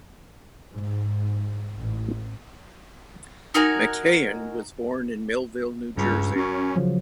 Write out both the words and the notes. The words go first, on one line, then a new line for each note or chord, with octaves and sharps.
McKeighan was born in Millville, New Jersey.
G#2
A1
D#4 F#4 A#4 G#5
C#2 G2
F#2 C#4
C#3 F3 F#3